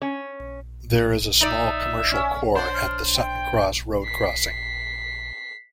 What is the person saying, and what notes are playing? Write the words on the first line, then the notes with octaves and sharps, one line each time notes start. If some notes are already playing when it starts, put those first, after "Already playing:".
There is a small commercial core at the Sutton Cross road crossing.
C#4
D#4 D5 E5
C#4
D4 C5 F#5
F6
G5
B6 C7